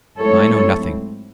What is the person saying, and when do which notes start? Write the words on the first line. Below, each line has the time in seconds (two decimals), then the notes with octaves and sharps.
"I know nothing."
0.18 G#2 F#3 A3 C4 E4 A4 C#5